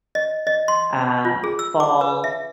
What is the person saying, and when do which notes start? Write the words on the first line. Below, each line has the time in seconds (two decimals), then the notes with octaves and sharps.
uh, fall,
0.15 D#5
0.47 D#5
0.68 C6
1.25 F4
1.44 G#4
1.59 E6
1.80 D6
2.01 B4
2.24 E5